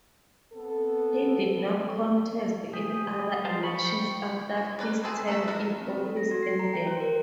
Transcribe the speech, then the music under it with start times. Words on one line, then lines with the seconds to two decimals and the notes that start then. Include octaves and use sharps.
He did not contest in other elections after his term in office ended.
0.53 B3 C4 A4
2.74 G4 G#4 D#6
3.45 C5 F5 A5
3.63 B5 C#6
3.85 G5
4.57 E3
4.79 A#4 B4 C#5 D5
5.03 C4 D#4 G#4 A4 C5
5.28 F#3 A3 E5
5.48 E4 F#4 A4 A#4
5.81 C4
6.05 A4
6.17 A#6
6.31 F#4
6.43 C7
6.59 A#5
6.73 G5
6.87 C5
7.00 A#4